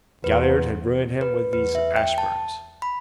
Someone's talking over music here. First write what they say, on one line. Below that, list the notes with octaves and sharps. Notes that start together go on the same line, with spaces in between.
Galliard had ruined him with these Ashburns.
E2 B4
B4
E2 B4
E5
G5
A5
B5